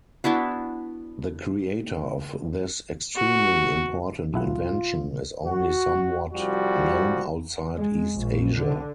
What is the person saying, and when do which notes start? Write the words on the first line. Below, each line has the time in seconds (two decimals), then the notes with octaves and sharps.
The creator of this extremely important invention is only somewhat known outside East Asia.
0.24 B3 D4 E4 F#4
3.16 F#4
4.34 B1 E4 F4 F#5
5.44 F#4
6.31 C2 F3 G3 F#4
7.76 G#3
8.14 A#1
8.60 D3